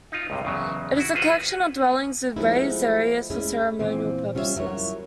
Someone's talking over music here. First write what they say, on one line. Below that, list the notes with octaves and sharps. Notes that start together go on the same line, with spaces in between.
It is a collection of dwellings with raised areas for ceremonial purposes.
D#4 F4
C#2 G2 C3
E2 C#3 F#3
E4 F#4
F4 G#4 B4 C5 D#5 F#5
F3 G#3 A3 B3 D#4 E4
G#3 A3 C#4 E4 G#4
A#2 E3 C4
G3 C#4 F4 G#4 C#5 E5
F#3 E4 A#4 C#5